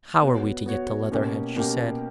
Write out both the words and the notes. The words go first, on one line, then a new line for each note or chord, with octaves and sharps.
"How are we to get to Leatherhead?" she said.
B3 F#4 C#5
B3 F#4 C#5
B2 A#3 C#4 G4
B2 A#3 C#4 G4